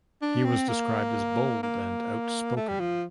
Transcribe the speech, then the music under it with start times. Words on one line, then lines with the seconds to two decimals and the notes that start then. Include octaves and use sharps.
He was described as bold and outspoken.
0.22 D4
0.45 C4
0.68 A#3
1.63 A#3
2.57 A3
2.68 G3
2.80 F3